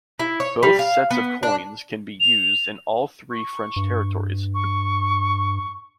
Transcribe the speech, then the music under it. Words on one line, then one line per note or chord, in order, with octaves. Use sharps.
Both sets of coins can be used in all three French territories.
E4
C#5
G3
F5
B3
D4
F7
C#6
G2
C#6